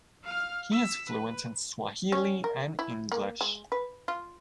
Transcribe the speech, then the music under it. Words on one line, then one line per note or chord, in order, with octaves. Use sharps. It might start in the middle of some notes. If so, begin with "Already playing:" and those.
He is fluent in Swahili and English.
F5 F6
E6 B6
B4
C#4
A#4
E4
A#3
G#3
B4
F4